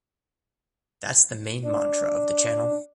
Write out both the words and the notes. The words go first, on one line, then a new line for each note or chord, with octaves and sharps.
That’s the main mantra of the channel.
D4